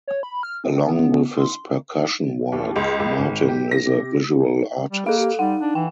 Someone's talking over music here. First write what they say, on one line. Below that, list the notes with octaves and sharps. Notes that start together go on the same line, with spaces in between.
Along with his percussion work, Martin is a visual artist.
C#5
B5
F6
C4
B3
C6
D#2
C#2
C#2
G#1
G4
A#6
C3
G3
A#3 G#4 A4 F5
G4
G3 D#4 F#5
D4
E3 G5